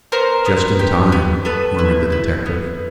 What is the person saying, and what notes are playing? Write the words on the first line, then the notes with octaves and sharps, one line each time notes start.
"Just in time," murmured the detective.
B3 A#4 C5
B3
G4
B3
B3 A4 B4
E4
E4
B3